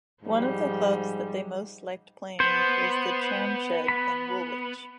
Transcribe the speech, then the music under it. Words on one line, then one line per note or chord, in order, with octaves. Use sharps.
One of the clubs that they most liked playing was "The Tramshed" in Woolwich.
G#2 F3 G3
B3 C5
B5